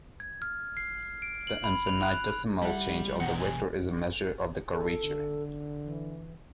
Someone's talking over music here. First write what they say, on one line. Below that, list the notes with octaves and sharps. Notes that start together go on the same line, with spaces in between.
The infinitesimal change of the vector is a measure of the curvature.
G#6
F6
C7
D7
F#7
B5
F7
F#6
G3 E4 F#5
E2 B2 F#5 G5 A#5
G#5
A4
D3
E3